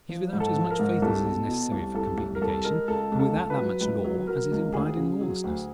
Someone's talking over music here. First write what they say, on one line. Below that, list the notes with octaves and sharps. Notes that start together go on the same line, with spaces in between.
He's without as much faith as is necessary for complete negation, and without that much law as is implied in lawlessness.
F3
G#2
A4
F3
A#4
G#2
C2 A4
B2
B2
C2
C2 A4
C2
A#4
C2 A4
G#3 A#4
C#2 A4
C#2
A4
C#2
B4
F#3
C#2 B4
F#3
F#3 A#4
C#2
D2 G#4
C#3
F#3
D2